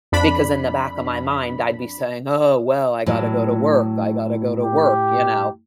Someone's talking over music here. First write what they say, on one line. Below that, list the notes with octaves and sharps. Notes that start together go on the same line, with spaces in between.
because in the back of my mind, I'd be saying, "Oh, well, I gotta go to work, I gotta go to work," you know.
F2 D4 B5
A2 F#3
G4